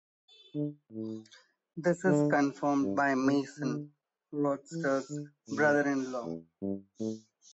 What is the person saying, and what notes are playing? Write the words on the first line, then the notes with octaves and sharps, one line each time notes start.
This is confirmed by Mason, Rochester's brother-in-law.
D3
A2
D3
G2
C3
D3
D3
E3
D3
A2
E2
G2
A2